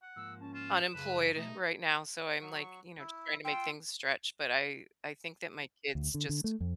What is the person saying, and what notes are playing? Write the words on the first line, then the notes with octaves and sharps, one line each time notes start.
unemployed right now so, I'm, like, you know, just trying to make things stretch, but I I think that my kids just
F#5
G#2 F3 A#3 E6
C#4 A5
F4 E7
F#2 C#3 D#4 A4 B4
B2 A3 D#4 G#4
F#3 C#6
E4
F4 G5 C6 E6
D2
D3
D3
A3
F2